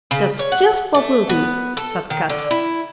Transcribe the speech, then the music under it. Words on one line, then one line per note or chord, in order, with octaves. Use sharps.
"That's just what we'll do," said Kat.
C#3
C#5
F#5
A3
B3
A4
D#3
D3
E4